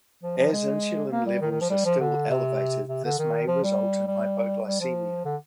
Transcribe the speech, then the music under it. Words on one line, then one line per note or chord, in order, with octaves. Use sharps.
As insulin levels are still elevated this may result in hypoglycemia.
F3
F3
G#3
A#3
G3
D#3
D#3
F3
G3
F3
D3
C3
C3
D3
D#3
F3
G3
G3
G3
F3
D3